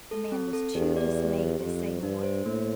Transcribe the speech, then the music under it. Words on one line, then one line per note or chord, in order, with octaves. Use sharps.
The man was too dismayed to say more.
A4
C4
A4
E2 G4
D5
G4
G4
F2 C5
C5
G2 D4
C5
A2 A#3